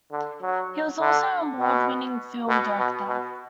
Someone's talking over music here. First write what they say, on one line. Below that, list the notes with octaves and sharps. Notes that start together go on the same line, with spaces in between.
He was also an award-winning film director.
D3
F#3
D3
B2
B2
B2
B2